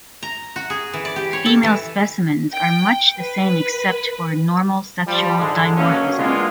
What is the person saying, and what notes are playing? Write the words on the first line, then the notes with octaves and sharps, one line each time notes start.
Female specimens are much the same except for normal sexual dimorphism.
A#5
F#4
G#4
E3
D5
G4
C#5
A4
E3
G5
B4
F3 G3
G#2 D3 G#3
B2 F#3 A#3 C#4
E3 G#3 A#3 B3 D4 F4